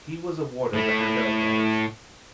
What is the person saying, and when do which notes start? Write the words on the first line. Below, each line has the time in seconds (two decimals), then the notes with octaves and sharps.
He was awarded the Handel Prize.
0.74 A2 A3